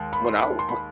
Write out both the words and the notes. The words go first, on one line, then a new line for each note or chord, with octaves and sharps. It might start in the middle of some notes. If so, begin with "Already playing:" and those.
when I w w
Already playing: D#2 G#3
B5
C6
B5
C6
B5